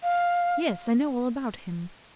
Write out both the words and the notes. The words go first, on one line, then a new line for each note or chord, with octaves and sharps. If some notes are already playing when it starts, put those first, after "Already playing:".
'Yes, I know all about him.
F5